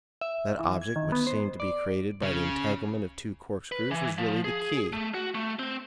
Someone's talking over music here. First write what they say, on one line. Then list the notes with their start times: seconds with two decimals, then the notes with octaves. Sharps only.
That object which seemed to be created by the entanglement of two corkscrews was really the key.
0.21 E5
0.59 E3
0.81 G#6
0.96 D#3
1.12 B3
1.27 C5
1.60 D5
2.22 C#3
3.72 B4
3.91 E3
4.18 F3
4.44 G#4
4.93 A3
5.14 F#4
5.35 A3
5.59 C4